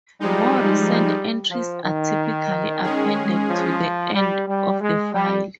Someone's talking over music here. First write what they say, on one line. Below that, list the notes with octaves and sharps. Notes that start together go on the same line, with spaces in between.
More recent entries are typically appended to the end of the file.
F3 G3 G#3 D#4
F3
D#3
G#3 C#4 G#4
F3
G3
G3
G#3
G3